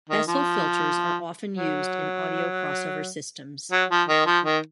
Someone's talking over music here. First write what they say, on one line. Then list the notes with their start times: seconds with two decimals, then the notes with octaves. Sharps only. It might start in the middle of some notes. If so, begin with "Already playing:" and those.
Bessel filters are often used in audio crossover systems.
0.09 D#3
0.28 F3
1.55 F#3
3.72 F#3
3.90 F3
4.08 D#3
4.26 F3
4.45 D#3